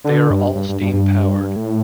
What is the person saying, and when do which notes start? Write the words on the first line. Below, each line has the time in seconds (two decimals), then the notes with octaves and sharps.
They are all steam powered.
0.04 D3
0.30 G2
0.55 G2
0.69 G2
0.81 G2
0.93 G2
1.56 A2